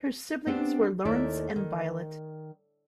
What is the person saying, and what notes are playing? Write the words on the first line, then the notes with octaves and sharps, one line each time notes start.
Her siblings were Laurence and Violet.
B3 C4 D4 G4
D#2 D#3 A3 E4 D5 E5
D#3